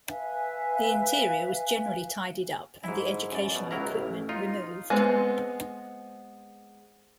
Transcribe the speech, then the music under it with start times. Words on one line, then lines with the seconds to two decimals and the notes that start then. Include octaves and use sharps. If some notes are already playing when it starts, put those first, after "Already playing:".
The interior was generally tidied up and the educational equipment removed.
0.09 B4 E5 F5 G#5
2.84 G#2 E4
3.32 F#2 D5
3.55 B2
3.71 C#2 F#3 E4 A#4 A#5
3.94 A1
4.29 D#4 F4
4.90 G#3 B3 C4